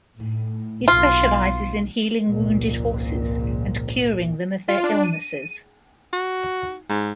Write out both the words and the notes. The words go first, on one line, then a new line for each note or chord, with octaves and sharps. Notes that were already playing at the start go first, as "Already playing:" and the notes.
He specialises in healing wounded horses and curing them of their illnesses.
A2
B1 F4
G#1 C#2 A#2 F3
F4
D4
D#7
F#4
G#2